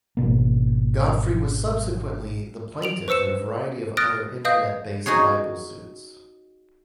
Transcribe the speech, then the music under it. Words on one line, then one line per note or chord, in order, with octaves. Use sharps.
Godfrey was subsequently the plaintiff in a variety of other internet-based libel suits.
G#1 B2 A#3
D7 F7 F#7
B4 C5 E6 C#7 E7
D#6 F6 F#6 A6 A#6 D7
B4 D#5 F5 D#6 G6
D#4 F#4 G#4 C#5